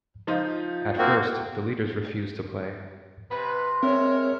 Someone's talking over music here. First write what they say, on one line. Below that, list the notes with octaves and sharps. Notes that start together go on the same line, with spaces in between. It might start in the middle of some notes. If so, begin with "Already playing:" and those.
At first, the leaders refuse to play.
F3 D#4 F4
A#3 C4 F#4
C3 B4
G#3 C4 A#4 C#5 E5